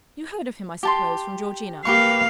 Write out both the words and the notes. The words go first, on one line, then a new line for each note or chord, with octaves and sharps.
You heard of him, I suppose, from Georgina.
G4 A5 C6
A#3 G4 B4 F5 C#6